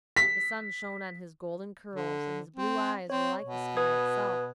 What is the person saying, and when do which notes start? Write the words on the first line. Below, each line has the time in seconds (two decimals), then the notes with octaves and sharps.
The sun shone on his golden curls, and his blue eyes were like the sky itself.
0.16 B6
1.95 D3
2.56 C4
3.10 C4 C#5
3.42 B2
3.77 B4 D#6 G#6